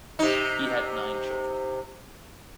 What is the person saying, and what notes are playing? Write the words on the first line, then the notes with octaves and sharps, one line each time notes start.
He had nine children.
C3 D#4